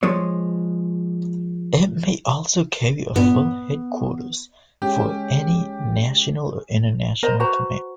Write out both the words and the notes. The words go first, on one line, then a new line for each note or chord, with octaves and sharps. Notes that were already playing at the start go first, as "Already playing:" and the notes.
It may also carry a full headquarters for any national or international command.
F3 G#3 C#5
G2 A#2 B3
G#3 C#4 G4
A#4 C5 D#5 A#5
F#4 B4 C5 A#5